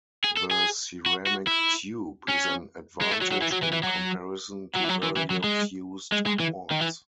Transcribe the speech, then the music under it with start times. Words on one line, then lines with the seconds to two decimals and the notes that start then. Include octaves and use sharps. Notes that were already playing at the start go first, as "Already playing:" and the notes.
The ceramic tube is an advantage in comparison to earlier fused quartz.
0.24 G#4
0.37 A4
0.51 G#4
1.06 F#4
1.27 F#4
1.47 E4
2.29 C#4
3.01 G#3
3.11 A3
3.21 F#3
3.32 F#3
3.42 E3
3.52 F#3
3.63 E3
3.73 E3
3.83 F#3
4.75 F#3
4.84 E3
4.89 F#3
5.03 E3
5.17 E3
5.30 F#3
5.44 G#3
6.12 G#3
6.26 G#3
6.40 E3
6.71 D#3
6.81 E3